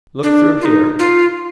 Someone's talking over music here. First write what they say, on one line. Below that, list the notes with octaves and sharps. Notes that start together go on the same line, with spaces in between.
"Look through here."
D4
F4
D#4
F4